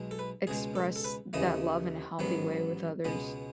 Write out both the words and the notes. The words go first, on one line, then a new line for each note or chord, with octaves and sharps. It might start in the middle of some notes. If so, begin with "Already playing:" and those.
express that love in a healthy way with others.
Already playing: B1 B2 G#3
A4
B4
C#2 B2 G#3 G#4
A4
A4
B4
D#2 C#3 E3 A3 D#5
A1 G#2 D#3 F#3 B3
C#2 B2 G#3 B3